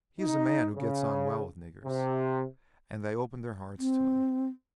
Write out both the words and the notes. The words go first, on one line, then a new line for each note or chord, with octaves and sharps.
He is a man who gets on well with niggers, and they open their hearts to him.
D#4
C#3
C3
C4